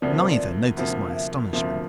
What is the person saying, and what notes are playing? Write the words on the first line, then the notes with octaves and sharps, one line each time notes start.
Neither noticed my astonishment.
D2 C3 F3 A#3 D5
C5
D5
D2 C3 F3 A#3 E5
F5
E5
D2 C3 F3 A#3 E5